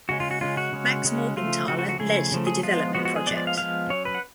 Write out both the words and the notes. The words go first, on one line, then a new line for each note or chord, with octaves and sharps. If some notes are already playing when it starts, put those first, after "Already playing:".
Max Morgenthaler led the development project.
C#3 G#3 C#4 F#4
F4
F#4
C#3 G#3 C#4 F4
F#4
C#3 G#3 C#4
C#3 G#3 C#4
C#3 F3 A3 F4
C#3 F3 A3 F#4
F#4
F#4
C#3 F3 A3 G#4
C#3 F3 A3
G#4
F3 G#3 B3 F4
F3 G#3 B3 F#4
F#4
G#4
F3 G#3 B3 D5
D5
F5
F3 G#3 B3 F5
F#3 C#4 C#5
B4
F#5